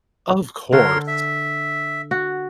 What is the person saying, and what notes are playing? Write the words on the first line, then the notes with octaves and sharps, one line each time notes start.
Of course.
D3 A#4 C#5 C6
E5
F#4